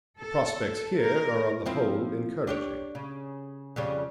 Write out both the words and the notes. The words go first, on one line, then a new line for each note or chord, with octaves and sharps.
The prospects here are on the whole encouraging.
A4
A#4
F3 C4 E4
D4 G4 C#5
C#3
F2 C#3 G3